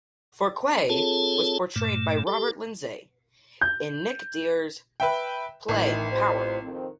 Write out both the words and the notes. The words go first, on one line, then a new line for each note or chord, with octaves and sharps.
Fouquet was portrayed by Robert Lindsay in Nick Dear's play "Power".
C4 F4 G#4 A4 C#5 A5
G2 A#2 A3
G4 A4
G6
B4 E5 G5
A1 D#3 E3
C3 F4 C5
F2 D#3 C4